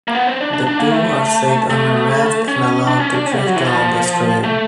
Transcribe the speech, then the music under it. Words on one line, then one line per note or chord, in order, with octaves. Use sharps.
The two are set on a raft and allowed to drift down the stream.
A#3
B3
C4
D4
D4
D4
A#3
A3
A3
C#4
D4
C#4
D4
C#4
G3
F#3
E3
F3
A3